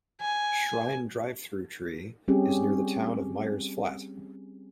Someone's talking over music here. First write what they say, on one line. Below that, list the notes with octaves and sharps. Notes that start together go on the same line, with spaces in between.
Shrine Drive-Thru Tree is near the town of Myers Flat.
G#5
G3 C4 C#4 G4 G#4